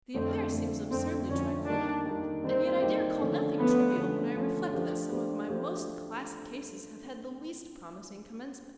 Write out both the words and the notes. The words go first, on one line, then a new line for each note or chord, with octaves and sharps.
The affair seems absurdly trifling, and yet I dare call nothing trivial when I reflect that some of my most classic cases have had the least promising commencement.
F2 D3 F3 A3 C4
F2 D3 F3 A3
F2 D3 F3 A3 C4
F2 D3 F3 A3 C#4
D#3 G3 A#3 D4 D#4 G4
D#3 G3 A#3 D#4 G4
D#3 G3 A#3 C4 D#4 G4
D#3 G3 A#3 D#4 G4
D3 F3 A3 C#4
D3 F3 A3 B3 C#4
D3 F3 A3 C#4
D3 F3 A3 C#4
F3 A3 D4 G4 C5
F3 A3 D4 G4 C5
F3 A3 D4 G4 C5